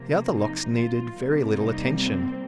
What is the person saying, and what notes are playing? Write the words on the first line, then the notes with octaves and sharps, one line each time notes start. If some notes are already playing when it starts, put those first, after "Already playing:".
The other locks needed very little attention.
Already playing: C3 F3 A#3
D#4
F4
C3 G3 A#3
D#4
C4